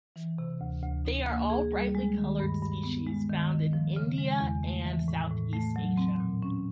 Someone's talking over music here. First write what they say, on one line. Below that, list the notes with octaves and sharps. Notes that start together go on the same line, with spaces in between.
They are all brightly coloured species found in India and southeast Asia.
E3
C3
D2
D2
D#4
A#3
G#4
G3
G#3
D#3
G2
G2
B3
G#3
D#3
D#3
F3
C#3
G#3
E2
A3
E3
A2
A2
A3
F#3
C4
A#2
C#4